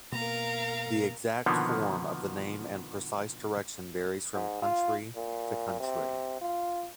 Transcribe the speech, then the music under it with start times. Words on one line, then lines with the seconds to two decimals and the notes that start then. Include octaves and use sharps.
The exact form of the name and precise direction varies from country to country.
0.12 B2 A#3 A#4 F5 A#5
1.46 B2 D3 D#3 F3 A#3 B3
4.34 G#2
4.62 F4
5.16 A#2
5.80 C3
6.42 F4